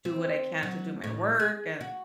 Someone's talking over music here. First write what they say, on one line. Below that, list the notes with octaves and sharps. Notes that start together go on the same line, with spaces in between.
do what I can to do my work, and,
C4
F#3
A2
G#4
F#4